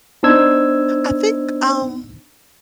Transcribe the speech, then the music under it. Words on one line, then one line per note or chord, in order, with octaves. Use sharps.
I think um,
B3 D4 D#4 C5 E6 G#6